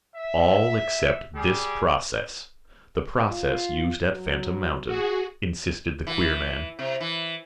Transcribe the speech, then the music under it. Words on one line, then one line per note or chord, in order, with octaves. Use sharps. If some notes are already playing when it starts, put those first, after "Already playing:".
"All except this process--the process used at Phantom Mountain," insisted the queer man.
E5
G3 G4 G#4
F4
F#3
F#4 G#4
E3
C3
E3